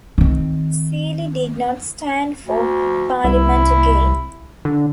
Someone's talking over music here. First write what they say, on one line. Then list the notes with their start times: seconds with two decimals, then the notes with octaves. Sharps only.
Seely did not stand for Parliament again.
0.18 D#3 C4
2.45 D2
3.24 C2 E4
4.65 D3